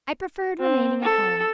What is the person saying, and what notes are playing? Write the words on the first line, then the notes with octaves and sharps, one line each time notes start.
I preferred remaining at home.
C4
A4